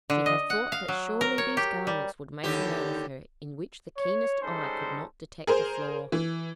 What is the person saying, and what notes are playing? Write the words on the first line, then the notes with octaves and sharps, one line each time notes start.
She had thought that surely these garments would make a man of her in which the keenest eye could not detect a flaw.
D3
D#5
F#5
F5
F#3
A#4
C#5
G4
G3
D#2 D3 G4
C#5
G3 G#3 C#4 D#4 A4 C5
G#4 A#4 C5
E3